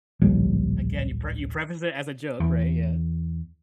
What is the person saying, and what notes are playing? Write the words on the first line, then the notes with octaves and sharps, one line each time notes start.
Again, you pre you preface it as a joke, right? Yeah.
D1 A#1 F3 G3
E2